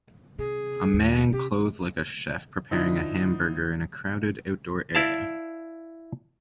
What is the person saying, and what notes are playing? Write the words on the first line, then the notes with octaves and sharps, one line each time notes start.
A man clothed like a chef preparing a hamburger in a crowded outdoor area.
C3 G#4
D#2
C3 C#4 G4
D3 F3 D#4 E4
E4 D5 F5 A5